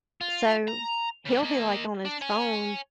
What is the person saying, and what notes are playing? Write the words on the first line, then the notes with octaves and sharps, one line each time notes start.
So, he'll be, like, on his phone
F4
A#5
C#3 G3
A#3 D#5
D4
C#5 G#5